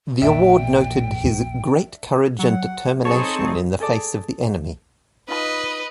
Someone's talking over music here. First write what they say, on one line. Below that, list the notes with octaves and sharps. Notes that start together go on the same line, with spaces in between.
The award noted his "great courage and determination in the face of the enemy".
A#1 E2 D4 E5 G5
F#3 F#5
C4 D#4 G#4 A4 C#5 A5 C#6
G#4 A4 D5
D#4 F4 B4 D#5 B5